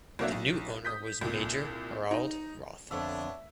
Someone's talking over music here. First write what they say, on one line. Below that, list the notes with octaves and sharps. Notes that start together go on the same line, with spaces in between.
The new owner was major Harald Rothe.
C2 F#3 A#3 D4 E5
B1
D#6 G6 B6
C2 A#2
D#4
F2 D3 B3 D4 C#5 E5